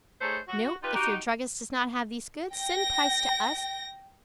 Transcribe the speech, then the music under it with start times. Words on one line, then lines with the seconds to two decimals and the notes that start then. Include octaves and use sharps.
NOTE.--If your druggist does not have these goods, send price to us.
0.21 A3 D#4 G#4 A4 C5 C#5
0.48 F#4
0.83 D#4 F4 G4 B4
0.95 D#4 F#4 G4
2.53 G5 A#6